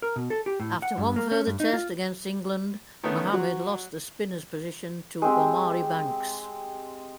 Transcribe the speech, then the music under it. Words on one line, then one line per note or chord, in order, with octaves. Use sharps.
After one further Test against England Mohammad lost the spinner's position to Omari Banks.
A#4
B2
A4
G4
A2
F#5
G2
A#3
C#4
G2
D#4
F4
D#3 A3 B3 C#4
F#3 F#4
G#3 C4 G4